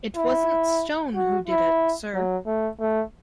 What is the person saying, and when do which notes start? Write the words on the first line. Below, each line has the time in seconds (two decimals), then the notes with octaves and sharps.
It wasn't Stone who did it, sir.
0.17 E4
1.15 F#4
1.48 E4
2.14 F#3
2.46 A3
2.80 A3